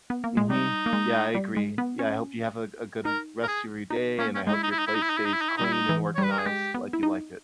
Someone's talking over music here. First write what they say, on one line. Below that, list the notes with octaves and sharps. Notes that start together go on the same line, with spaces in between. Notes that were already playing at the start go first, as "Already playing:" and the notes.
Mhm. Yeah, I agree. Yeah, I hope you have a g a good v rest of your day, and I hope your place stays clean and organized like you like it.
B3
A#3
G#3
G3 D#4
A#3
G#3
G3
G#3
B3
C#4
D#4 A#4
A#4
G#4
D#4
A#3 C#4
C#4
G#3 D#4
E4
D#4
E4
D#4
E4
D#4
E4
D#4
E4
D#4
E4
D#4
E4
D#4
G3 E4
D#4
E3
G3 C#5
B4
A#4
G#4
G#3 G4
B3
E4
D#4